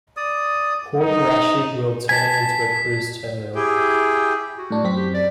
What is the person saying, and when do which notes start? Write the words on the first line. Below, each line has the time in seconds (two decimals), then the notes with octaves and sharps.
Port Rashid will turn into a cruise terminal.
0.17 D5 D#6
1.01 D#4
2.09 G#5 A5 B6
3.55 E4 G4 G#4 G5
4.58 F#4
4.70 A2 D4
4.84 F#2 C4 B6
4.97 G4
5.14 D5